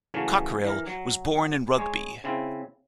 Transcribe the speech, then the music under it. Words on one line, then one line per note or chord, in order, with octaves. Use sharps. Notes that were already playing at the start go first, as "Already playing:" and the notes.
Cockerill was born in Rugby.
C#3 E3 F#3 A3 C#4
E3 A#4
F#3
G#3 C#5
C#3 C4 E4